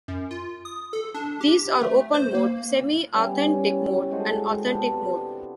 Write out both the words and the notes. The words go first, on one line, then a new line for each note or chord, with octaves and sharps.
These are Open Mode, Semi-Authentic Mode and Authentic Mode.
F#2
F4
D#6
A4
D4
G4
A3
C5
A#3
G3 B3 C#4 E4
G#3 F#4 A4 C5
C3 B3 D4 F4